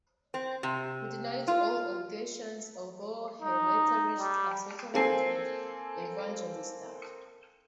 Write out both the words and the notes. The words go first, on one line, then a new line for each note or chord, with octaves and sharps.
He denied all allegations, although he later reached a settlement with Evangelista.
C4
C3
F4
D#4
G3
A#3 C4 A4 G#5 C7